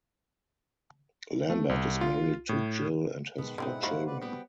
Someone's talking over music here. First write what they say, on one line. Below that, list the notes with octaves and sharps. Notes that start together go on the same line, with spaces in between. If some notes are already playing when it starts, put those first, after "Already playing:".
Lambert is married to Jill and has four children.
A3
C2
F4
A2
B2 D#3 G#3 B3
G#2 B2 D3 C4 D#4 E4 F#5
D#3 A#3 F#4 C5 F5 B5
B4 D5
G3 B3 G5